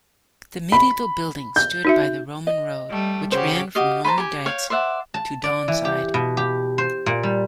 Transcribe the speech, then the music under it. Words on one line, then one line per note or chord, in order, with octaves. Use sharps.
The medieval building stood by the Roman road which ran from Normandykes to Donside.
B5
G6
D#4 F#4 E5
D#5
G3 A3
C#3 F#4 G4 C5
F#4 G4 D#5 F5
B4 C5 A5 A#5
G4 G#5
C#5 F5 G5
C5 D5 E5 F#5
A5
D5
E3
G4
B2
G4
C5
A#2
G3